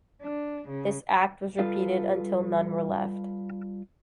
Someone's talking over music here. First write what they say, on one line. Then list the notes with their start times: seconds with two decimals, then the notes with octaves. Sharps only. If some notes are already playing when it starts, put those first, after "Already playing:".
This act was repeated until none were left.
0.21 D4
0.68 C#3
1.59 G3 F4 A4 B4 F5